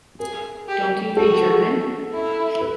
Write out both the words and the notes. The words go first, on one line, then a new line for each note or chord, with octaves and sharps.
Don't you read German?
G#4 A#4
G4
F#4 A4
E4
B4